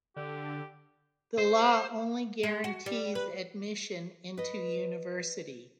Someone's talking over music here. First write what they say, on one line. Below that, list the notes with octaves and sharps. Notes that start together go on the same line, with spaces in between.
The law only guarantees "admission" into university.
D3 G4
C5
G#3
F#4
G3
B4
B4 D#5